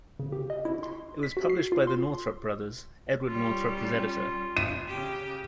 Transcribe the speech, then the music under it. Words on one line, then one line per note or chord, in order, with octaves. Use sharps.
It was published by the Northrup brothers - Edward Northrup was editor.
C#3
G4
D#5
E4
C6
B6
F#4
C7
F4
C6
G3 C#4 F4
F4
D#7
C#3 G4